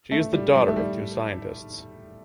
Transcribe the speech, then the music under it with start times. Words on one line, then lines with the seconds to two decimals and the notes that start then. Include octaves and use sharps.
She is the daughter of two scientists.
0.12 A3
0.33 G3
0.55 G3
0.68 A3
0.76 G3